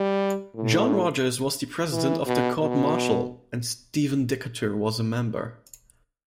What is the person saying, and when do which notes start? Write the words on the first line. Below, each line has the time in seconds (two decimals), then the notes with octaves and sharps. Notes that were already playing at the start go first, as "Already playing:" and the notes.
John Rodgers was the president of the court-martial, and Stephen Decatur was a member.
Already playing: G3
0.55 A2
1.92 E3
2.26 B2
2.60 B2